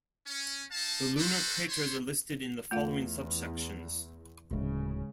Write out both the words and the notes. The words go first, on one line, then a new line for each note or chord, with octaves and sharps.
The lunar craters are listed in the following subsections.
C#4
D#4 F5 A5
F#4 A4 B4 C5
B3 C5 C#5 C6
E2 A3 F4 F5
D1 C#3 G#3 D#4